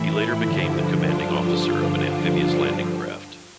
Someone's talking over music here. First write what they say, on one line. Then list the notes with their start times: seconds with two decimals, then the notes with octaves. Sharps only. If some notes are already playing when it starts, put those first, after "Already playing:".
He later became the commanding officer of an amphibious landing craft.
Already playing: A2 E3 E4
0.41 G2 D3 F3
1.02 D4 F4
1.65 G2 D3 F3